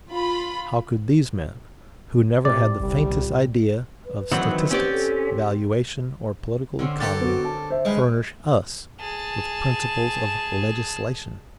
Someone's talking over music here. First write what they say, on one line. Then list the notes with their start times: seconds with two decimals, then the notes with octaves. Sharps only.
How could these men, who never had the faintest idea of statistics, valuation, or political economy, furnish us with principles of legislation?
0.10 F4 B5
2.45 A2 C3 D5
2.80 F#1 C2 G3
3.10 A#2
4.05 B4
4.32 D#3 E3 F#3 C4 F#5
4.51 B4
4.71 C4 C#4 G4 D5
4.93 A4
6.79 D3 C4 C#4
7.00 G4 A4 A#4 F#5 A6
7.21 B3 F#4
7.45 A5
7.70 C5 E5
7.85 G#3 B4 F5 G5
9.00 G#4 A5